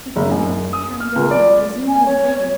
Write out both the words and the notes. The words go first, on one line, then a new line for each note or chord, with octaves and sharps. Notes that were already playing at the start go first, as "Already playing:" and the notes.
He quietly turned over, and resumed his reading.
F#1
F#2
D#6
F6
C#2
D5
G#5
C#5